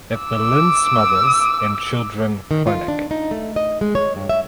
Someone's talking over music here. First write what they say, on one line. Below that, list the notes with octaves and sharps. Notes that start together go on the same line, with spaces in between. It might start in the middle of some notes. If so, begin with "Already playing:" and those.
At the Linz Mothers and Children Clinic.
D6 E6
D#3
F4
D4
D#4
A3
D#5
G#3
C#5
G2
E5